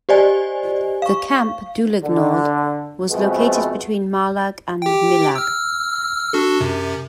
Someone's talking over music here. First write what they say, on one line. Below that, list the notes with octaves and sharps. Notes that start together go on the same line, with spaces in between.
The camp Dulag Nord was located between "Marlag" and "Milag".
G4 C5 D5 D#5 G#5
F5 C#6
D3
B2 F3 G#3 A3 B3 C4
G4 G5
E6 F6
D4 F#4 A4
F#2 C3